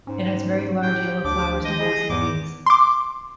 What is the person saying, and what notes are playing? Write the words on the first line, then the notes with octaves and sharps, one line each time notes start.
It has very large yellow flowers and glossy leaves.
G#2 C#4
A2 G4 G5
D2 D4 D6
G#3 D#5
E4 G#4
E2 G#2 D6
C6 D6